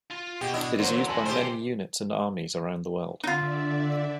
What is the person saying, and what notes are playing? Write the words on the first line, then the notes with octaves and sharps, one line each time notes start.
It is used by many units and armies around the world.
F4
B2 G4 G5
D4 E4 D#5
F#2 D3 E3 F#3 A#3 C5
A4 D#5 G#5 B5 C6
C3 G4 C5
D3 D#4 F4 D5 E5